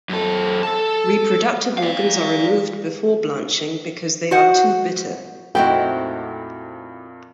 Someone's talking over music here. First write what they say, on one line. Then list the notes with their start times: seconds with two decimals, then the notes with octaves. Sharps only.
Reproductive organs are removed before blanching because they are too bitter.
0.09 F#2 A4
0.63 A4 A5
1.78 D5 F5
4.31 F#4 C5 F#5
5.55 F2 A#2 A3 C4 D#4 E4 F#4 G5